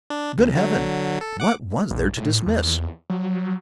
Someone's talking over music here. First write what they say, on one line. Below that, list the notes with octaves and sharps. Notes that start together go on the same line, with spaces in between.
Good Heaven, what was there to dismiss!
D4
D2
D3 F#3
A4
F#5 D6
A#1
A2
E2
F#3